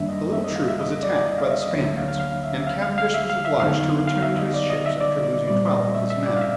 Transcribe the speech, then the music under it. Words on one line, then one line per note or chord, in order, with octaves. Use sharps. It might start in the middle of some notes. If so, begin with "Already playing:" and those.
The little troop was attacked by the Spaniards, and Cavendish was obliged to return to his ships after losing twelve of his men.
Already playing: F#2 D#3 G3 A#3 D4 E5
D#5
E5
D#5
F5
E5
D#5
D5
D5
D#5
F5
E5
D#5
D2 D3 F#3 A#3 D4 C#5
E5
F5
F5
F5
E5
E5
F5
F5
F5
E5
F5
E5
F2 D3 F#3 B3 D#4 F5
F5
E5
D#5
D5
D#5
E5
D5
D5
A#2 G3 C4 D5
D#5
E5
E5
D5
F5
E5